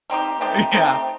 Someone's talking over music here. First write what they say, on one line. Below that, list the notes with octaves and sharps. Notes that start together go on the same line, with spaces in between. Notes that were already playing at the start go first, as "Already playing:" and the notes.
Uh, yeah,
A3 C4 D#4 G4
A3 C4 D#4 G4
A3 C4 D#4 G4